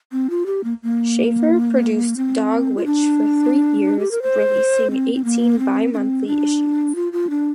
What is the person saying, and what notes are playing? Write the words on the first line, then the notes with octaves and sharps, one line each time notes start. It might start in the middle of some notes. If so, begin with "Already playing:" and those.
Schaffer produced Dogwitch for three years, releasing eighteen bi-monthly issues.
C4
F4
G4
A#3
A#3
C4
F4
D4
G4
A#4
C5
C4
C4
A#3
C4
D4
C4
D4
F4
F4
D4